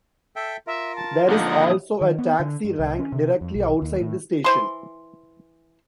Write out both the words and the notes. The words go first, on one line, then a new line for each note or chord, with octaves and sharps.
There is also a Taxi rank directly outside the station.
A4 E5 G5
F4 A#4 E5
A5
A#2 D3 F3 D#4 A#4 F#5 D#6
D#3
B3
D3
G2
C2
C#4
C3
F2
B1
D#2
A2
E3 C5 C6